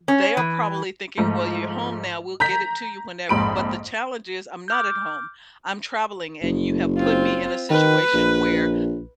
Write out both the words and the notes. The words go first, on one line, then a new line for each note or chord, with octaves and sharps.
they are probably thinking, "Well, you're home now, we'll get it to you whenever," but the challenge is I'm not at home, I'm traveling, and you have put me in a situation where
C#4
E3
G#2 F3 A3
A#5 G6 B6
A#1 F2 G#2 B5 C6 D7
D6 F6 G6
F#1
C4 F4
D#3 B4
A#1